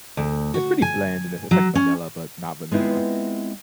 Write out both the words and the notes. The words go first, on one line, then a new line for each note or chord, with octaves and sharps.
It's pretty bland and i it's like vanilla, but not vanilla.
D2
F#4
G#5
F#3
C#4
G#3 B3 C4 E4 F4